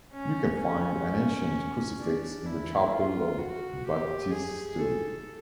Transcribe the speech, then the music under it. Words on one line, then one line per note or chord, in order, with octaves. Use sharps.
You can find an ancient crucifix in the chapel of baptistery.
C#4
C#4
D4
E4
F4
F#4
G4
G#4
A4